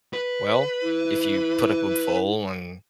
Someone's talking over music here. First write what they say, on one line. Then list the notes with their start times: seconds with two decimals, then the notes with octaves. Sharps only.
Well, if you put up a poll and
0.13 B4
0.83 E4